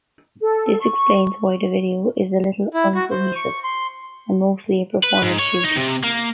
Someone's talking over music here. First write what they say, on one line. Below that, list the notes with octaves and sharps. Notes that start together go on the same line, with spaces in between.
This explains why the video is a little uncohesive and mostly a performance shoot.
A4
C#6
E4
F#4
C5
C#6
C6
B4
G#2
C#5
D#4
C3
A#3